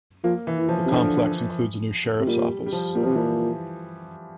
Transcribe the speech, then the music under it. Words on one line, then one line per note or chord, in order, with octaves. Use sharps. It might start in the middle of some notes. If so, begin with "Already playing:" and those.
The complex includes a new sheriff's office.
F3 A#3
E3
E3
F3
C3
D3 F3
C3
A#2 G3
G3
F3
A#2 G3
F3
C3 E3
A#2 F3